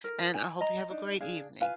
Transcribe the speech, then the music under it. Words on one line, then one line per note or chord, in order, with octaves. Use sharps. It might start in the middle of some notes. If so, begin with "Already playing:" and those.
and I hope you have a great evening.
A#4
G#5
D#5 A#5
D4 D#4
D4 G#4 F5
F4 B4 F5 G#5